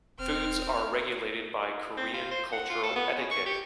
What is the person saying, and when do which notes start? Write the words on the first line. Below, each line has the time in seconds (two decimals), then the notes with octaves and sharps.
Foods are regulated by Korean cultural etiquette.
0.19 E1 C4 F6
1.98 C4
2.14 F4
2.31 C5
2.52 F#5
2.70 F4
2.83 A4
2.96 B3
3.17 C#4
3.31 C#6
3.46 G4